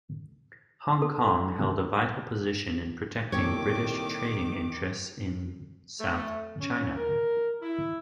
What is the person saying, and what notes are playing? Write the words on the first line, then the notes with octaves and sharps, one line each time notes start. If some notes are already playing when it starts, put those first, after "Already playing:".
Hong Kong held a vital position in protecting British trading interests in South China.
A4
C2 A#2 D#3 G4 A4 C#5 D6
A3
C#4
A#4
E4